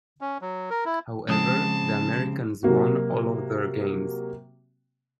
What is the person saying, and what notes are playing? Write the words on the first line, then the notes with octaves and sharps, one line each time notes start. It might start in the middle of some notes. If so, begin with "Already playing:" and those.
However the Americans won all of their games.
C#4
F#3
A#4
E4
C#3 F3 G#3 C4 A5 D#6
C3 F#3 A#3 F#4